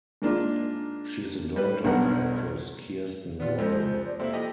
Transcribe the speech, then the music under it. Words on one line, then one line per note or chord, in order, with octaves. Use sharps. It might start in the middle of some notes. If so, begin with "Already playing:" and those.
She is the daughter of actress Kiersten Warren.
G#2 A#3 D4 F4
G3 B4
B1 G2 B3 A#4 F#5
A#2 B3 F4 D5
F2 F3 G#3 C5
D5
C3 A#3 C4 E4 A4
F3 G4 D#5